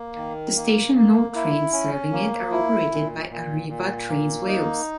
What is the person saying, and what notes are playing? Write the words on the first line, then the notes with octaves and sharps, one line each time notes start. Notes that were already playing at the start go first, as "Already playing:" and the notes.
The station and all trains serving it are operated by Arriva Trains Wales.
Already playing: A#3
D#3
A#3
A#3
E4
C#4
A#3
E4
A#2
A#2
A#2
A#3
D#4